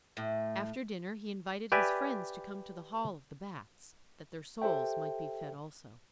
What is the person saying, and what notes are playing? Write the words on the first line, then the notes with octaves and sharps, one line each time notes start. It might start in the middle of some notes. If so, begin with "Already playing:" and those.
After dinner he invited his friends to come to the hall of the baths, that their souls might be fed also.
A2
G4 B4 D5 E5 G#5
G4 A4 C5 E5 G5